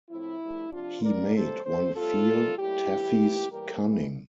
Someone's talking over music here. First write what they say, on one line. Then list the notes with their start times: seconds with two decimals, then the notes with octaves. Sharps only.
He made one feel Taffy’s cunning.
0.09 A2 F3 C4 E4
0.41 G2 F3 A3
0.71 C3 F3 C4 D4 F4
1.02 G2 E3 G3 A#4 D5
1.33 C3 E3 G3 A#3 A4 C5
1.64 G2 F3 C4 A4 C5
1.95 A2 G3 C4 F4 A4
2.27 C3 G3 A#3
2.57 A2 G3 A#3 E4 G4
2.88 A2 E3 G3
3.19 C3 E3 A#3
3.50 A2 E3 G3 A#3 G4 A#4
3.81 F2 E3 G3